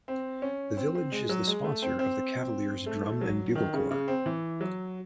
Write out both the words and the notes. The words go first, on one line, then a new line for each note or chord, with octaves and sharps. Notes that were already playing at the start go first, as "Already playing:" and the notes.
The village is the sponsor of the Cavaliers Drum and Bugle Corps.
C4
C#4
C4
C4
G#3
F#3
G#3
A3
C4
C4
A3
F#3
D#3
C#3
C#3
C4
E3
F#3